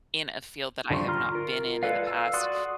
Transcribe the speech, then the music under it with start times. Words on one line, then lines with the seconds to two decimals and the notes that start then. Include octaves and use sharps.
in a field that I have not been in in the past
0.90 D3 F3 G3 C6 C#6
1.07 F4 A#5 C6 F6
1.35 F4 A#4
1.83 G#3 A4 B4 D5 F5
2.07 F5 E6
2.33 F#4 D5 C6 D#6 F#6